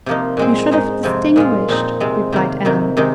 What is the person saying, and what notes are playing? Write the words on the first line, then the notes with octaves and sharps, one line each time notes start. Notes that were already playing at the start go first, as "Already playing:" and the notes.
"You should have distinguished," replied Anne.
C3 F3 A#3 D#4
A#2 G#3 C4
G#2 G#3 D#4
F2 C3 F3 C4
A#2 G#3 F4
A#2 F3 C4 D#4
C3 G#3 C4
C3 D#3 A#3
F2 C3 D#3
C3 D#3 G#3 D#4